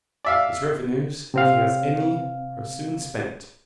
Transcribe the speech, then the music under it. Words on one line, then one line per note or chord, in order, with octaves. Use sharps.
His revenues, if he has any, are soon spent.
D5 E5 F5
C3 C4 F5